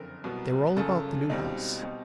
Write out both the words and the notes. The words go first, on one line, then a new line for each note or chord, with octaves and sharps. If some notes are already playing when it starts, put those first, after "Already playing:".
They were all about the new house.
Already playing: F#1 F2 D3 A#4
C2 B2 F#3 B3
G1 F#2 C#3 A4
C#2 B2 G3 C4 D#4
B2 G3 C4